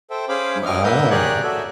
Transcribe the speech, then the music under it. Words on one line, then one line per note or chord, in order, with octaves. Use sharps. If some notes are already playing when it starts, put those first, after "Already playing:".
M ah.
A4 C5 E5 G5
C#4 G#4 C5 F5 B5 D6
D#5 D6 F6
A#3 A#4 B4 E5 D#6 G6
G4 G#4 A#4 C#5 D5 F#6
F#4 A4 E5 G#5